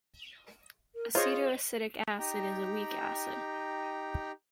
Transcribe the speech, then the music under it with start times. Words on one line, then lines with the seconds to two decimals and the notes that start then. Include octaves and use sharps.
Acetoacetic acid is a weak acid.
0.95 A#4
1.15 F4 G#4 C5 C#5 D#5
2.19 D#4 G4 G5 A#5